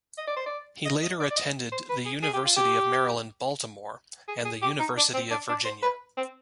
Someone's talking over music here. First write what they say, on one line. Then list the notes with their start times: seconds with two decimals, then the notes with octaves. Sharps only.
He later attended the University of Maryland, Baltimore, and the University of Virginia.
0.18 D#5
0.27 D5
0.36 C5
0.46 D5
0.85 D#5
1.03 D#5
1.20 D5
1.30 D5
1.37 D#5
1.72 C5
1.89 B4
2.05 G#4
2.22 G#4
2.33 G4
2.45 F4
2.56 G4
4.28 G#4
4.45 G#4
4.62 G4
4.79 D#4
4.97 D4
5.14 C4
5.30 D4
5.49 D4
5.65 C5
5.82 B4
6.17 C4